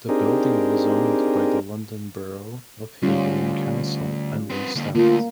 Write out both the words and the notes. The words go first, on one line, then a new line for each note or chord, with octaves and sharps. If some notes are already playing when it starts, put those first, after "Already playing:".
The building was owned by the London Borough of Havering Council and leased out.
C4 D4 D#4 G4 G#4 A#4
D2 G3 C#4 F4
C4 B4
D3 A#3
D3 A3 A#3 F4